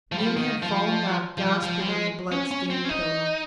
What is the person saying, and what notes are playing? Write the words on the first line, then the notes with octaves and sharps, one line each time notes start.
Min had fallen back, gasping, on the blood-stained pillow.
F3
G3
F3
D#3
F3
F3
F3
G3
G#3
C#4
C#4
C4
C#4
D#4